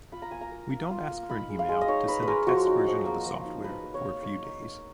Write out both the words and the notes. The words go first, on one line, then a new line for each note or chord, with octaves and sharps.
We don’t ask for an email to send a test version of the software for a few days.
F4 B5
A#5
A#3 G#5
A#5
A#3
F4
F4
A#3
D#4 B5
G#3
F5
G#3
D#5
D#4 C#5
D#4 B4
B4
G#3 A#4
F3 F#4
D#4
F3
A#3
F3
D#4
D#4 B4
A#3
C#5
A#3
D#4 C#5
D#4
A#3